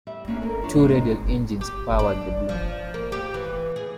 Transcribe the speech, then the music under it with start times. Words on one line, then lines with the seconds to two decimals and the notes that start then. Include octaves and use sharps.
Two radial engines powered the blimp.
0.07 G3 E5
0.28 A#3 C#4 D4
0.42 A4 A#4
0.62 F3 F#3 D4 C#5
0.74 A#2 F#3 G#3
0.88 C4 D#4 C5
1.61 G4
1.99 D4
2.49 F3
2.94 A#3
3.12 G4
3.34 E3
3.76 G#4